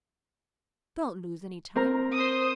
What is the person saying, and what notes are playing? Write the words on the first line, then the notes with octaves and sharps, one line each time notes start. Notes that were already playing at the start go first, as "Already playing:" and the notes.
Don't lose any time.
C4 A#4 A#5
C5 D#6